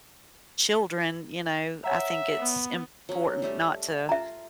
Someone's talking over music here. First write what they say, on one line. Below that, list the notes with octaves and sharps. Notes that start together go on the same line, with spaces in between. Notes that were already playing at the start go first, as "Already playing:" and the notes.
children, you know, I think it's important not to
C#5 E5 F#5 A#5
B3
F#3 C#4
G3 A3 G4
F4 E5 A#5